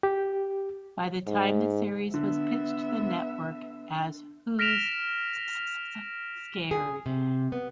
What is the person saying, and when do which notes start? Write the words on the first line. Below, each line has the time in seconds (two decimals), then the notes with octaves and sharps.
By the time the series was pitched to the network as Who's S-S-Scared?
0.03 G4
1.27 G#2
2.14 D3 B3 E5
4.59 F6 A#6 B6 D7 E7 F7
6.71 G#4
7.06 C3
7.52 B3